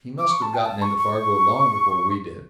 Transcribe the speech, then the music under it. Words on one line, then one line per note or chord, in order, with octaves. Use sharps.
He must have gotten into Fargo long before we did.
D6
C#6
A5
G5
A5
C#6
C#6